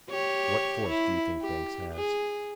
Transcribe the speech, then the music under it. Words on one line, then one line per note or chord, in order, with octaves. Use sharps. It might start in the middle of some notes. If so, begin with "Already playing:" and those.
"What force do you think Banks has?"
G4 C#5
E4
G4
G#4